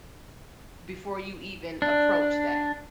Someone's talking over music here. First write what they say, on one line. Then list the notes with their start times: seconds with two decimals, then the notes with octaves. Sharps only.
before you even approach that.
1.82 D4